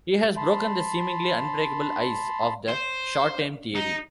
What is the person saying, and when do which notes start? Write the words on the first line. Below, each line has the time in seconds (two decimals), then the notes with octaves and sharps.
He has broken the seemingly unbreakable ice of the "short aim theory".
0.37 A5 B5 C6
2.69 C5
3.75 D#4